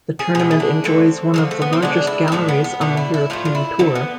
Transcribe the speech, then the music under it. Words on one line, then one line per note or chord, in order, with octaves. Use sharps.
The tournament enjoys one of the largest galleries on the European Tour.
G#4
B2 G#3 G#4
E4
D4
D3 A3 C4
D3 F3 G#3
A3
B3
C4
D3 G#3 D4
E4
C4
A2 F3 G#3 D4
B3
B3
B2 A3 D4
E4
E4
A2 F3 A3 F4
D4
E4
D3 A3 C4
B3